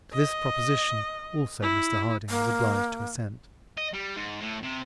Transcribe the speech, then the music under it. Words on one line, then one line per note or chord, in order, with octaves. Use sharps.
To this proposition also Mr Harding was obliged to assent.
D#5
E4
A#3
D#5
G3
G#2
A2
C3